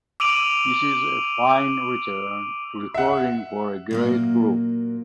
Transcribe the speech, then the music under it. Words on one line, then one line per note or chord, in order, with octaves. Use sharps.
This is a fine return to recording for a great group.
D6 E6 D7 D#7 F7 F#7
E5 F#5
A#2 F#3 A#3